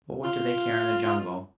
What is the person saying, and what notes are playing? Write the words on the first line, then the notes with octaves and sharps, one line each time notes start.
But what do they care in the Jungle?
F4